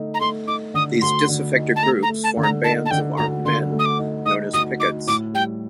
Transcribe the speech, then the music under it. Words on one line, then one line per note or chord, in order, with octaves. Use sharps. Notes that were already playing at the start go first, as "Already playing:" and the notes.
These disaffected groups formed bands of armed men known as "piquets".
Already playing: D3 A3 D#4
A#5
A3 C6
D#4 D6
D3 D#6
D2 C6
D3
D#4
A5
A3 A#5
A#5
A3
A5
D3
A#5
D#4 A5
A5
D3 G5
D2 A#5
D3 C6
A3
D#6
D6
D#4
D#4 D#6
D2 D#6
D#4 D6
A2 D6
G3 G5